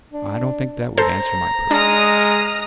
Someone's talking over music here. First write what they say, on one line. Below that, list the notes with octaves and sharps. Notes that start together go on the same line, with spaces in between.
'I don't think that would answer my purpose.
D4
A4 C5 A#5
G#3 D4 D#6 F6 A#6